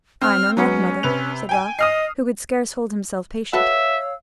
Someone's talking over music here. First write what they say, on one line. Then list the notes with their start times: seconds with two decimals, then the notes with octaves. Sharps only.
"I know not, mother," said Ralph, who could scarce hold himself patient.
0.21 C4 F6
0.57 F#3 G#3 B3 C#4
1.03 C3 B4 F7
1.49 G5 G#5 D#7
1.79 D#5 D#6 F6 C7
3.53 F#4 A4 B4 C#5 E5 F5 E6